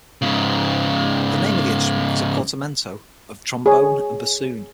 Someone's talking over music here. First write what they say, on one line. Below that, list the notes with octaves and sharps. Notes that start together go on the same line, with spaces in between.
The name of the instrument is a portmanteau of "trombone" and "bassoon".
G#2 C#3
G#4 C#5